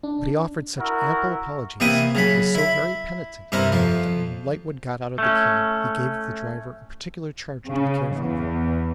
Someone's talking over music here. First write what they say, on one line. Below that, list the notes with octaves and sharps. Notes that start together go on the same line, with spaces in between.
But he offered such ample apologies, and was so very penitent, that when Lightwood got out of the cab, he gave the driver a particular charge to be careful of him.
D4
E4 F#4 A#4
C3 E3 A#3 E4 G5 D#6
C#3 F#3 B5
E4 B5
G2 C3 E4 A#4 C5
F2 F3
A3 C#4
C#3
E2